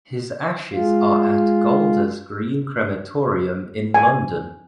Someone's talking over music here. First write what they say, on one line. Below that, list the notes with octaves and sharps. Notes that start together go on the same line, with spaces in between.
His ashes are at Golders Green Crematorium in London.
G#3 F4
G#5